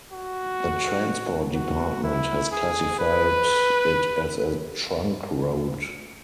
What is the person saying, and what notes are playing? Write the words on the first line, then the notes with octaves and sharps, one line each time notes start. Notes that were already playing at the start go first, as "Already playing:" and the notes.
The Transport Department has classified it as a trunk road.
F#4
F#4
E4
G#4
B4